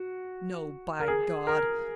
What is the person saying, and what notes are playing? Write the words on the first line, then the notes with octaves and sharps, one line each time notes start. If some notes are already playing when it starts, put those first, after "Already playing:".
No, by God!
Already playing: F#4
A#4
G#4
A#4